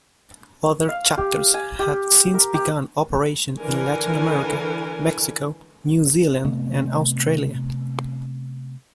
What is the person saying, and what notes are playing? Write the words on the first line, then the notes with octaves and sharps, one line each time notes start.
Other chapters have since begun operation in Latin America, Mexico, New Zealand, and Australia.
F5
G4
G#5
G4
A#4
G4
D3 E3 A#4 B4 G#5 A5
C3 A3 B3 C4